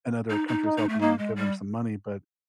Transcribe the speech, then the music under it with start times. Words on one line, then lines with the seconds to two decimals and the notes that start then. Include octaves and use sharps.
and other countries helping 'em give 'em some money, but
0.30 D#4
0.48 D#4
0.65 D#4
0.78 D#4
0.89 A3
1.01 A#3 D#4
1.18 G#3
1.36 G3